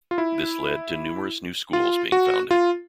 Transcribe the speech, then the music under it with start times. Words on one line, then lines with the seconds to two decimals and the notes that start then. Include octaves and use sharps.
This led to numerous new schools being founded.
0.11 F4
0.18 E4
1.73 F4
2.12 F#4
2.51 F4